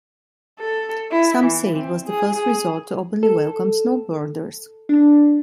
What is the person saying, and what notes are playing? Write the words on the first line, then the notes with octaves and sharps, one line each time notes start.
Some say it was the first resort to openly welcome snowboarders.
A4
E4
E3
C4
G#4
G#4
A4
D4